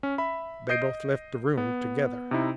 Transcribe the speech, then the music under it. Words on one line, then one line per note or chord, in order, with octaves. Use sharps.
They both left the room together.
C#4
E5 B5
D#5 G6 C7 D7
B3
C3 D#4 E4